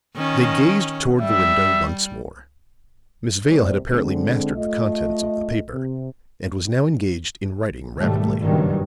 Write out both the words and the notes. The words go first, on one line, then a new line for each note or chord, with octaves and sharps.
They gazed toward the window once more, Miss Vale had apparently mastered the contents of the paper, and was now engaged in writing rapidly.
D#3 C#4
G3 E5
C3 G3 A#3 C5 D5
D3 G#3 C4
A3 F4 D#5
C3
B1 G#2 D#3 G3 A3
F#1 G2 A#2 D#3 F#3